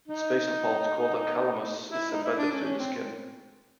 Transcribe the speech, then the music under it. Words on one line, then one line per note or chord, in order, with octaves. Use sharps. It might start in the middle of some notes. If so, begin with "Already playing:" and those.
Its basal part, called a "calamus", is embedded in the skin.
D#4
E4
D#4
E4
D4
C#4
C#4
C4